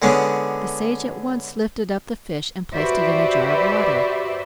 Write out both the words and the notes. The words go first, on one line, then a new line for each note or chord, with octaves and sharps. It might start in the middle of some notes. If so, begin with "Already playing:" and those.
The sage at once lifted up the fish and placed it in a jar of water.
D3 G#3 B3 C#4 D4
F#4 G4 B4 C5 D5 E5